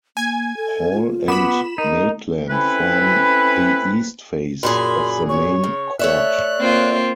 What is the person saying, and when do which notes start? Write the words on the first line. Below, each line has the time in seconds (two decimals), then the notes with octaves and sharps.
Hall and Maitland form the East face of the main quad.
0.17 A#3 G#5 G#6
0.57 A4
0.93 F4
1.28 B3 B5 D6 E7
1.78 D#4 A#4
2.50 A3 C4 C#4 E4 B4
4.63 F#2 A#2 G#4 B5 C6
5.29 C#5 C#6
5.64 C#3
5.99 A3 C#5 D5 E5 F#6
6.59 A#3 C4 F4